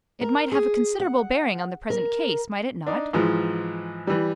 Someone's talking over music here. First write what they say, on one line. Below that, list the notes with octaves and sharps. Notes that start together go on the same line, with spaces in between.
"It might have a considerable bearing on the present case, might it not?"
A#4
G#4
F#5
A#4
D4 D#4
G#2 E3 F3 G#3
E3 G3